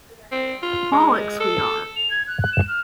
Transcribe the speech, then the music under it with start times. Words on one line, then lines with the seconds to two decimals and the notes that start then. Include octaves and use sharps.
Bollocks we are!
0.31 C4
0.62 F4
0.92 G#3
1.40 A4
1.95 F7
2.09 G#6
2.27 F#6
2.40 F#6
2.52 E7
2.67 F6